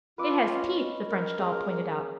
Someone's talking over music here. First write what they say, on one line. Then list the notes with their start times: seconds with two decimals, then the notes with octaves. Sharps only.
"It has teeth!" the French doll pointed out.
0.18 F4 B4 D6 E6
0.50 C#4 D#5
1.07 A#4
1.39 A#3 G#4